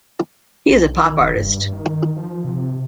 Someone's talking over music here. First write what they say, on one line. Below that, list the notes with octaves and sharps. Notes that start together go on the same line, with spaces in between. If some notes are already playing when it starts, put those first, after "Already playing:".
He is a pop artist.
B1
D#3
E1
G2
D#3
F3
C3